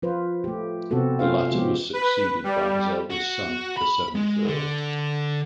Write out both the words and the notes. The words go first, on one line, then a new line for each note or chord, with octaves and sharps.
The latter was succeeded by his eldest son, the seventh Earl.
F3 F4 B4 C5
A3 G4
C3 B3 C4 F#4 A4
A3 C#4 F4 C5 F5
F3 G#3 B3 F#4 G4
B4
G3
F#4
B5
G#3
D3